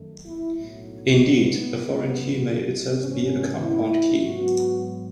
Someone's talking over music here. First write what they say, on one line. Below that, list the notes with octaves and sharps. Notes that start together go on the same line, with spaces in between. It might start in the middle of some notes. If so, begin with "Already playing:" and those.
Indeed, a foreign key may itself be a compound key.
Already playing: F#2 D#3 A3
E4
B1 A2 F#3 A3
B3
G#1 F#2 D#3 A3
G#2 E3 B3 C#4
E4
G#2 F#3 B3 F#4